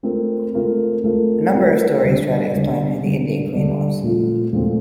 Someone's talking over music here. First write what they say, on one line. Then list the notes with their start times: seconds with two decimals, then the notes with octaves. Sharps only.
A number of stories try to explain who the Indian Queen was.
0.03 A3 C4 F4 A#4
0.54 A3 C4 F4 A#4
1.04 A3 C4 F4 A#4
1.54 A3 C4 F4 A#4
2.03 D3 G3 D4
2.54 D3 G3 D4
3.03 D3 G3 D4
3.53 D3 G3 D4
4.03 A#2 F3 A3 C4 F4
4.53 A#2 F3 A3 C4 F4